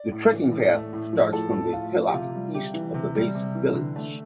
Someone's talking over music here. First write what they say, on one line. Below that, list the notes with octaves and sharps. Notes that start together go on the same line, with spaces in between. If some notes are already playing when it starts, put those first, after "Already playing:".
The trekking path starts from the hillock east of the base village.
Already playing: D5
A2
E3
A2
A3
A2
F3
A2 A4
A3
A2 F4
F3
G4
C3 F4
G3
C3 G4
E3
C3
G3
C3
E3
D3
A3